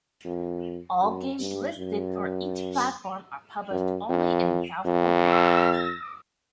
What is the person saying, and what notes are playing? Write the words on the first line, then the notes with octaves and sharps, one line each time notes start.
All games listed for each platform are published only in South Korea.
F2
F#2
G2
F#2
F#2
F2
F2